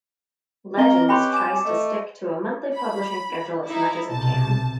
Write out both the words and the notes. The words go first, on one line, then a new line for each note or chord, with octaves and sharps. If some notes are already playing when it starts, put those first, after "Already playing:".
"Legends" tries to stick to a monthly publishing schedule as much as it can.
C4 A#4 D#5 A#5 G7
C#4 G4 B4 G5 B5 C6
G#5 D6 E7
A3 D#5
B5
D#4 E4
B1 C3 A5